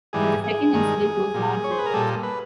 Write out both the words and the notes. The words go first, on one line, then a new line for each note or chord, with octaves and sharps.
But the second incident was larger.
G#2 E3 G3 G#4
G#4
G2 D#3 G#3
A#2 G3
C#5
C5
B4
A#4
A#2 G3 A4
B4